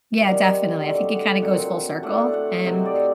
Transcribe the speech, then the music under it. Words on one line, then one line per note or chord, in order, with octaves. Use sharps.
Yeah, definitely, I think it kinda goes full circle, um,
D#3 G3 C4 D#5
F#5
D#5
D3 F#3 A3 C4 D#5
D5
F#5
D#5
A#2 F#3 A3 C4 F#5
A2 A3 D4 F#5
F#5
C3 F#3 C4 D#5
D5